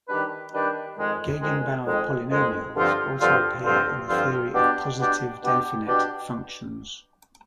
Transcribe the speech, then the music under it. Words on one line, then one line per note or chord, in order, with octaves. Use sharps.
Gegenbauer polynomials also appear in the theory of Positive-definite functions.
D#3 G3 D4 G4 B4
D#3 G3 D4 G4 B4
F2 D#3 G#3
F2 D#3 G#3
F2 D#3 G#3
F2 D#3 G#3
G2 D3 F3 C4 F4
G2 D3 F3 C4 F4
G2 D3 F3 C4 F4
G2 D3 F3 C4 F4
B2 B3 D4 G4
B2 B3 D4 G4
B2 B3 D4 G4
B2 B3 D4 G4